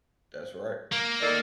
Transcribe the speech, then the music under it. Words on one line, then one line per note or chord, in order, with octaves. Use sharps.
That's right.
A#3
D#3 A4 D5